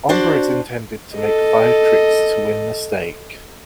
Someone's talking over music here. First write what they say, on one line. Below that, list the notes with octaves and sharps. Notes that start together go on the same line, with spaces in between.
Ombre is intended to make five tricks to win the stake.
D4 F#4 C5 D5
A4 D#5